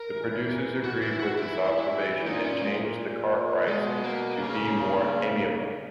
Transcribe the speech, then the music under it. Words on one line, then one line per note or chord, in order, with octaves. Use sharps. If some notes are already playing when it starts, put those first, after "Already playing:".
The producers agreed with this observation and changed the Cartwrights to be more amiable.
Already playing: A#4
E3
F#4
E4
F#4
E4
E3
A#2 D#4
C#4
A#2 G#3
B2 G#3
A#3
C#3